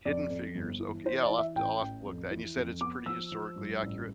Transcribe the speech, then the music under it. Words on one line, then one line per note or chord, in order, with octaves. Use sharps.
Hidden Figures, oka yeah, I'll have t I'll have to look that and you said it's, pretty, historically accurate?
F2 D5
F2
G1
E3
E3 C5
D5
E3
E5
A1 G5
A1
F2
E3
F2
B3 D6
F3 E6
F3
G2
A1